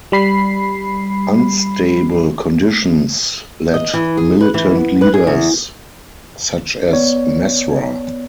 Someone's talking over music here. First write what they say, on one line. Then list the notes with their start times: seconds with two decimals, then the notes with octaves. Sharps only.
Unstable conditions led militant leaders such as Messra.
0.12 G3 B5 C7
3.74 D#5
3.94 E3
4.17 G#4
4.41 B4
4.54 E3
4.75 B3
5.01 B4
5.14 G#4
5.27 E2
6.93 B3 C#5 D5